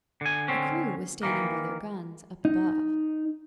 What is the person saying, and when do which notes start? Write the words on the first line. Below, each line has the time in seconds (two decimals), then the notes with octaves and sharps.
The crew was standing by their guns up above.
0.21 D3 G#5
0.48 D3 C4 C#4
1.23 D#3 E3 A#3
2.45 D#4